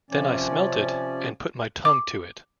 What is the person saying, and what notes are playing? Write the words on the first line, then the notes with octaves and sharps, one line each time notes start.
Then I smelt it and put my tongue to it.
C3 F3 C#4 D5
D6